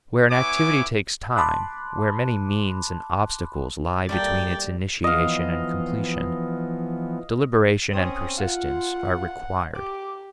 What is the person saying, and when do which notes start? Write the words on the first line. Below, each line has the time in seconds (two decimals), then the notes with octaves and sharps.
Where an activity takes time, where many means and obstacles lie between its initiation and completion, deliberation and persistence are required.
0.31 B3 E4 C#5 G#5 D6
1.36 A5 B5 C6 D6 F#6
4.09 G3 A3 A#3 D5 G5
5.04 E3 F3 B3 D#5 F5
7.93 C4 C#4 D#6
8.38 F4 F#5
9.75 G4 D6